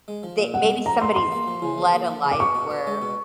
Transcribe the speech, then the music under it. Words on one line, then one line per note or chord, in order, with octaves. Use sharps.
they maybe somebody's led a life where
G#3
F3
A#2
C2 F#5
G#3
F3 A#5
A#2 C6
E2 C6
A#3
F3
C#3
E2
A#3
F3
C#3
D6
B2 C#6
B2
B3
G#3
B2